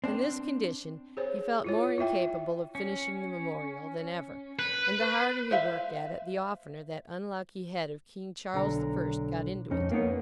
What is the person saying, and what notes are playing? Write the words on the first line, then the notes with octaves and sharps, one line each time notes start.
In this condition, he felt more incapable of finishing the Memorial than ever; and the harder he worked at it, the oftener that unlucky head of King Charles the First got into it.
C4 D4
G#4 C5 C#5
E4 F4 C#5
E4 F4 E5 G5
C#4
B4
C5 E5 F5
B1 D3 A#5
F2 C#4 D#4
A#3 B3 D#4 C#5